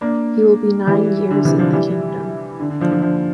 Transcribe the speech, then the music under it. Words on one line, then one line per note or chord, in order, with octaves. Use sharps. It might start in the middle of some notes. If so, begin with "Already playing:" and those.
He will be nine years in the kingdom.
A#3 D4
E3 G3
D3
C3 E3
D3 F3
E3 G3
D3
D3
D3 F3
D3 F3
D3 F3